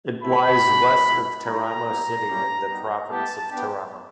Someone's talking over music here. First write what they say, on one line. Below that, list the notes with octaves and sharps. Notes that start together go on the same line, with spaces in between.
It lies west of Teramo city, in the province of Teramo.
A3 C4 E4 B5
A#3 D4 G4
G#3 B3 E4
G3 A#3 D#4 G4 A#5
G3 B3 E4 G4
G3 A#3 C#4 E4 G4
G3 B3 D#4
G3 B3 E4 G4 A5
B3 D4 G4